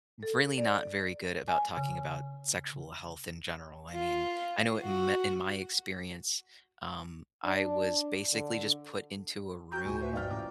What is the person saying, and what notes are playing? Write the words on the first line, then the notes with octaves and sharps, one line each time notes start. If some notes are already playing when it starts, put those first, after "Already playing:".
really not very good about talking about sexual health in general, I mean, I know in me in my experience, um, I was basically just put into a room,
A4
D5
G#5
C#3
F4
F#4
D4
D3
F#4 G5 A#5 G6
D2 A#2 G#5
F#4 B4 C5 E5
A#1 F2 G#2 D5 D#5 F5 G5 F6
A1 A#5 D6